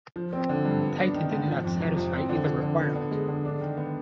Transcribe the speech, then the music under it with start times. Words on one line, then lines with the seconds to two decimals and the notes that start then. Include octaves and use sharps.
Titan did not satisfy either requirement.
0.16 F3
0.33 C4
0.49 D3
0.65 G2
0.82 B3
0.98 D4
1.14 D#3
1.31 G#2
1.48 F3
1.64 F2
1.80 C3
1.97 F2
2.13 C4
2.29 D3
2.47 F3
2.63 D3
2.79 B3
2.96 D3
3.11 G#3
3.28 D3
3.45 D4
3.61 D#3
3.77 B3